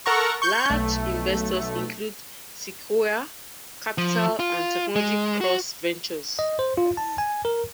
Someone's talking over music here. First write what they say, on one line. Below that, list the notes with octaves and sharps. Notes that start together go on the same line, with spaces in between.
Large investors include Sequoia Capital and Technology Cross Ventures.
A4 A#4 F#5 A#5 C#6
C#6 G6
B1 A3
F3
F4
G#3
F#4
D#5
C5
F4
A5
G#5
A#4